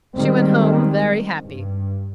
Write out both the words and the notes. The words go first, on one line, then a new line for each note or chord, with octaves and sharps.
She went home very happy.
D#3 G3 G#3 C4
G2